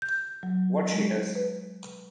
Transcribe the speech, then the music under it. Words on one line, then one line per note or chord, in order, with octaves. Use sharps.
What she does !
G6
F#3
G#3
B4